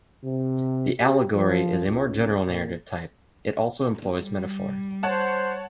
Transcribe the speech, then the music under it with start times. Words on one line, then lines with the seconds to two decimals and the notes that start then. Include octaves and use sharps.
The allegory is a more general narrative type; it also employs metaphor.
0.24 C3
1.00 G4
1.34 F3
1.85 C#2
2.47 A#2
4.19 G3
5.03 C5 C#5 F#5 A5